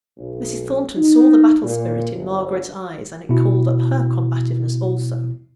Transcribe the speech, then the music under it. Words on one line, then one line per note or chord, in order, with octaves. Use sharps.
Mrs. Thornton saw the battle-spirit in Margaret's eyes, and it called up her combativeness also.
B1
D#4
A#2
G1
B2 E4